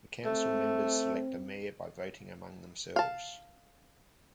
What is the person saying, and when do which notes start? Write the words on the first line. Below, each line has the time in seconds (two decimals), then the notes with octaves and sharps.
The council members select a mayor by voting among themselves.
0.25 A3 C4
2.96 F5 A5